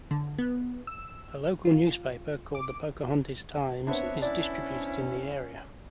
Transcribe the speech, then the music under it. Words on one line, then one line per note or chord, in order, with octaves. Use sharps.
A local newspaper called "The Pocahontas Times" is distributed in the area.
D3
B3
E6
F4
D6
B3 C4 D4 C#5 E5
C#4 E4 D5